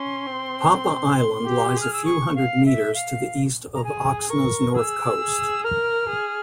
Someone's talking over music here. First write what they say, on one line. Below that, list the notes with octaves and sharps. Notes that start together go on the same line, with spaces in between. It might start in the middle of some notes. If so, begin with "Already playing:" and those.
Papa island lies a few hundred metres to the east of Oxna's north coast.
Already playing: C#4 C6
C4
G4
G#4 F6
E6
C#6
F5
E5
F5
A#5
G#4 G#5
A#4 C#6
G#4 E6
G#4
A#4 F6
G#4